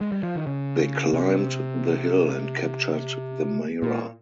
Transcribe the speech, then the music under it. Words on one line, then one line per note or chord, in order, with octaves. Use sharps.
They climbed the hill and captured the Mira.
G#3
G3
F3
D#3
C#3
C3
A#2